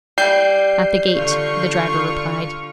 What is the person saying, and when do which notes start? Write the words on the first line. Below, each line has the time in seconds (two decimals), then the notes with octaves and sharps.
'At the gate,' the driver replied.
0.18 G3 G6 C7
1.16 D3 F4 C#6